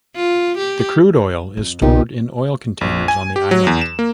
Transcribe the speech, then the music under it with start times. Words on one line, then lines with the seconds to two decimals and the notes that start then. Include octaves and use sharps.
The crude oil is stored in oil containers on the island.
0.16 F4
0.58 G4
1.57 F2
1.82 B1 C#3 B3 D#4 G4
2.81 A#1
3.08 G#5
3.36 G4
3.51 F#3
3.67 E2
3.81 E7
3.99 A#3